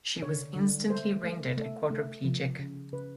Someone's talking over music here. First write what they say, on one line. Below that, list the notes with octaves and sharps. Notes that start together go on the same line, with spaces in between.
She was instantly rendered a quadriplegic.
D3 C#5
D3
A3 C5
A3
A3
A3
F3
C#3
C#3 B4